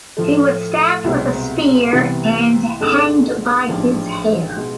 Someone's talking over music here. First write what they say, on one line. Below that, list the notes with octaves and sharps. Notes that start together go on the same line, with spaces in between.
He was stabbed with a spear and hanged by his hair.
A2 F3 A3
C2 B2 G#3 C4
C2 C3 E3 B3
G#1 G#2 G#3 D4 A4
A1 G#2 F3 G#3 D4
B2 G#3